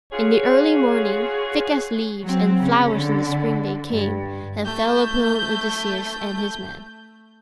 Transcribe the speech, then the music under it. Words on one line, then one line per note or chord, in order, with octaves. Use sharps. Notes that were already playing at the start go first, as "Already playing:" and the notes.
In the early morning, thick as leaves and flowers in the spring they came, and fell upon Odysseus and his men.
C#4 F4 F#4 G#4 C#5
F#3 C4
C#3 C#4
D3
G2
A3 G6